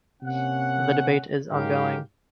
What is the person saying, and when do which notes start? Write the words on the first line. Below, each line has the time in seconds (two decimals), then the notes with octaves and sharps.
The debate is ongoing.
0.22 C3 A#3 C#4 F#5
1.52 G#2 F#3 G#3 G4 A#4 F5